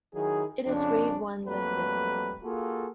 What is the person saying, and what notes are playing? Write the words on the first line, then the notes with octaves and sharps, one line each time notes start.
It is Grade One listed.
D#3 F#3 E4 G#4
F2 C#3 C#4 D4
F2 F#3 G3 A3 A#3 B4
A#3 F4 F#4 G#4 A4